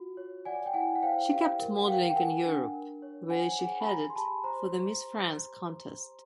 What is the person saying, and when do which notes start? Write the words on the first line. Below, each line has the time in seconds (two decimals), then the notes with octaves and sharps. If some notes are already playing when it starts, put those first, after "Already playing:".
She kept modeling in Europe, where she headed for the "Miss France" Contest.
Already playing: F4 F#4
0.17 C#5
0.45 D5 F#5 G#5
0.66 G5
0.74 E4 F#5 G#5
0.96 F#5
1.02 C5 F5 G5
1.31 G4 F5
1.59 A#4
1.77 F#5
1.88 A#4 F5 G5
2.10 G5
2.16 A#4 F#5 G#5
2.45 D4
2.73 A#4
3.02 C#5
3.30 C5 F#5 G#5
3.59 G#4 F#5 G#5
3.81 B5
3.87 G4 G#5 A#5
4.10 C6
4.15 G4 A5 B5
4.44 C5 A#5 C6